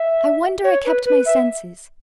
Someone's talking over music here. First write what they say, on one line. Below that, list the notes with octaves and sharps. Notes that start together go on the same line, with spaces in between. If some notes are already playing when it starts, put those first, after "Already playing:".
I wonder I kept my senses.
Already playing: E5
C#5
B4
B4
E5